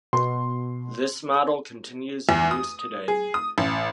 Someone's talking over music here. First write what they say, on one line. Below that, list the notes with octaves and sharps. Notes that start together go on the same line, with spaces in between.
This model continues in use today.
B2 C6
E2
D#6
G#4
D#6
A1